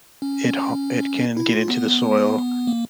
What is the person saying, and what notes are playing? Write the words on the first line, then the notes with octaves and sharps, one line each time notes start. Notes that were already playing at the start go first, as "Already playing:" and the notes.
it ha it can get into the soil,
C#4
E4
F4
B3
A#3